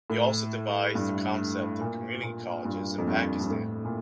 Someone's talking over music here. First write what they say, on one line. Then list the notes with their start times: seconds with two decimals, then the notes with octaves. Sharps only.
He also devised the concept of community colleges in Pakistan.
0.10 A2
0.95 G2
1.81 A#2
2.23 A#2
2.65 G2
2.98 F2
3.08 G2
3.40 G2
3.50 A2
3.85 A#2